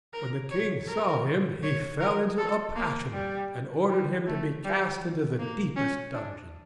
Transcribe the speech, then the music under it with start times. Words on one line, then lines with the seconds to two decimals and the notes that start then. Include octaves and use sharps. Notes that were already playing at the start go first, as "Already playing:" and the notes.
When the king saw him he fell into a passion, and ordered him to be cast into the deepest dungeon.
0.13 A#4
0.51 C#5
0.89 A#4
1.63 C#5
2.00 A#4
2.38 A4
2.76 A#3
3.14 G3
3.89 G3
4.27 A3
4.65 G3
5.39 A#3
5.76 C#4
6.14 D4